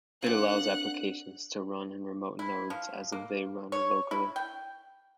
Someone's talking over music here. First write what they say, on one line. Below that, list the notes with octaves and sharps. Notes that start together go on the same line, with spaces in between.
It allows applications to run in remote nodes as if they run locally.
A#3 C4 D4 F#5 F#6
E4
F3
A#3
C#5
E4
G5